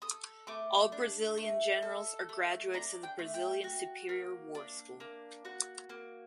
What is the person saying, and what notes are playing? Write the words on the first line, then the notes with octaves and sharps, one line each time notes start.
All Brazilian generals are graduates of the Brazilian Superior War School.
A4 D#6
A3 D6
D4
A3
A4
A3
D4 A#5
G5
A3
G5
F#4
A#3
D4
A#3
F#4 F#5
A#3